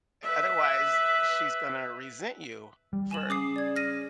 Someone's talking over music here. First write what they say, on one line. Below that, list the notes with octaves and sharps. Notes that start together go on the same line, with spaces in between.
otherwise, she's gonna resent you for
B4 E5
G3
G#5 E7 F#7
C#3 D6 D#6 C7
D5 G#6
F6 A#6 D#7